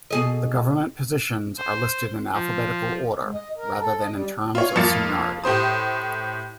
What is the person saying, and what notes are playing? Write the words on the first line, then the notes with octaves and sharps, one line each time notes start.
The government positions are listed in alphabetical order, rather than in terms of seniority.
B2 G#4 D#5
C5
F3
G#2
D#5
A#4
A4
D#5
G3
F4 C#5
F2 F3 A#3 F4 A6 C#7
A2 G4 C5 D#6